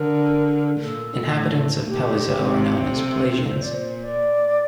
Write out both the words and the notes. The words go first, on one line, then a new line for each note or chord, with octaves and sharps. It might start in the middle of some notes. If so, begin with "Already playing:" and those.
Inhabitants of Palaiseau are known as "Palaisiens".
Already playing: D3 A#4
A#2 A4
A2
A#2 G4
C3
A4
A#2 C5
D5
C5
D5